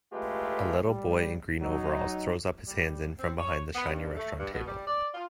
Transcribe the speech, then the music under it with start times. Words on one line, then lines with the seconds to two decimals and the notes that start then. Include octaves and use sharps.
A little boy in green overalls throws up his hands in from behind the shiny restaurant table.
0.12 A1 G#3 A3 F4 G4 B4
0.85 G3
1.61 F#3 D#4
2.67 G3
3.19 C4
3.39 C#5
3.73 B3
3.89 G2
4.17 A3
4.38 G2
4.53 B2
4.67 G3
4.86 D5
5.13 F4